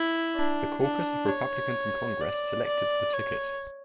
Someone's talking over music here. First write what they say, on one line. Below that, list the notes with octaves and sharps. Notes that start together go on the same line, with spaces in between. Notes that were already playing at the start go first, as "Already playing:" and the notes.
The caucus of Republicans in Congress selected the ticket.
Already playing: E4
D4
D4
C#5
D5
D5
C#5